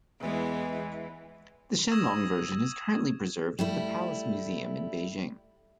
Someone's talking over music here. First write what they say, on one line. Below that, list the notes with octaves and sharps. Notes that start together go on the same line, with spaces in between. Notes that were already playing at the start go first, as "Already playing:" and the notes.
The "Shenlong" version is currently preserved at the Palace Museum in Beijing.
E2 E3 G#3
C#6 D#6 E6 G#6 A#6 E7
G3 A3 E4